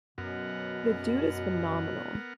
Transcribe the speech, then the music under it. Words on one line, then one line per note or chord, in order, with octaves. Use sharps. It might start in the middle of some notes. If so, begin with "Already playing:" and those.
The dude is phenomenal.
F#2 B2 B3 A#4 F#5